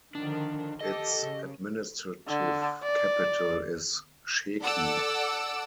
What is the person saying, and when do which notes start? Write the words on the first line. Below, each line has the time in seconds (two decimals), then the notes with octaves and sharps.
Its administrative capital is Sheki.
0.15 D3 D#3 F3 D4
0.81 G4 A4 D#5
1.23 C#3
2.28 D3
2.83 D5
4.63 A4 D5 F#5 D6 E6